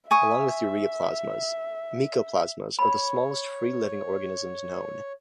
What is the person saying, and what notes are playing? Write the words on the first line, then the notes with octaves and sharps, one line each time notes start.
Along with ureaplasmas, mycoplasmas are the smallest free-living organisms known.
E5 G#5 C#6 D#6
C#5 B5